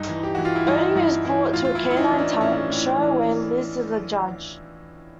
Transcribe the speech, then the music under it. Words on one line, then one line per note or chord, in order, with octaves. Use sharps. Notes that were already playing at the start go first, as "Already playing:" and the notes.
Odie is brought to a canine talent show, where Liz is a judge.
Already playing: G2 D#4
E3
G4
E3 F#4
F4
E4
G2 D#4
G2 E4
E3 E4
A2 F4
F4
E4
E3
E4
D#4
E3 C#4
D4
A2 C#4
A2
E3